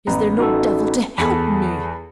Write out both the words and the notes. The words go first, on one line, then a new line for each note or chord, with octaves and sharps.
Is there no devil to help me?'
A1 B3 A#5
D#4 F#4 A4
E2 G#4 A4 B5